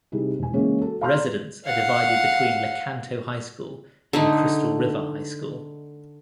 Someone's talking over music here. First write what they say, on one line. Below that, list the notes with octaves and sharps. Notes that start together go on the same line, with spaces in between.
Residents are divided between Lecanto High School and Crystal River High School.
C3 G3 D#4 E4 G#4
E1 G#5
C#3 E3 G#3 A#3 C#4 G#4
F#4 A4
F5 A#5 C6 F6 G6
F5 F#5
D3 A3 D#4